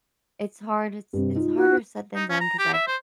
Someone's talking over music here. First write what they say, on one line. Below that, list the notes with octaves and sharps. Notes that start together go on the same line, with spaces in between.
it's hard it's it's harder said than done 'cause I've
G2 C3
D#4 F4
F#4
D#4
C#4
A#5
G4
E5
C5